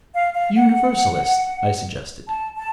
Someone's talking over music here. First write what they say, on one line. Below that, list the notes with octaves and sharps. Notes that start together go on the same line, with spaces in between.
"Universalist?" I suggested.
F5
F5
F#5
A5
A5